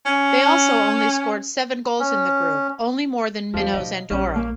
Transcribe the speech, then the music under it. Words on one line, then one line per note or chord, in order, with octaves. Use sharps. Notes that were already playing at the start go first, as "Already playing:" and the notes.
They also only scored seven goals in the group, only more than minnows Andorra.
C#4
C#4
D#2 F3 G3
B2 D#4 D#5
A#1 G3 C#4
A#3